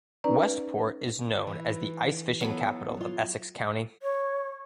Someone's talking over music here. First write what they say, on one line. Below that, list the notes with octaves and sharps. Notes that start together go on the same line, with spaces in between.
Westport is known as the ice fishing capital of Essex County.
C#4 D#4 B4 D5 A#5
E3
F#3 B3 A4
F#3 F4
C#5